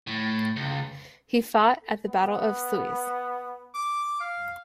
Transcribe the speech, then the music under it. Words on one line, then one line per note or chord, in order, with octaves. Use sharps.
He fought at the Battle of Sluys.
A2
C#2
B3
D6
F5